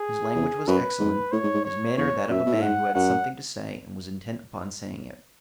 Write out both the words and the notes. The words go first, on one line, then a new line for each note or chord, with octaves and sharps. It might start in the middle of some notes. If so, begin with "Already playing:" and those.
His language was excellent, his manner that of a man who had something to say and was intent upon saying it.
Already playing: G#4
E2
F#2 B4
G#2
A2 C#5
G#2
G#2
C#5
E2 C#5
F#2 E5
B2
A2
G#2 F#5
F#2 F#5